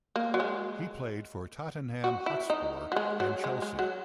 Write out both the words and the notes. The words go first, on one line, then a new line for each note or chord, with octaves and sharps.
He played for Tottenham Hotspur and Chelsea.
A#3
F#3
G#3
F#4
E4
D#4
F#3
G#3
F#3
G#3
G#3
F#3